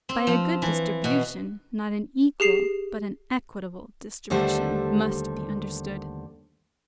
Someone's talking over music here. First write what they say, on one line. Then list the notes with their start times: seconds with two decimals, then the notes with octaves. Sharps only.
By a good distribution, not an equal but an equitable distribution must be understood.
0.09 C4
0.27 F3
0.62 E3
1.04 B2
2.40 G4 G#4 C7 E7
4.30 D#2 D3 G3 A3 C5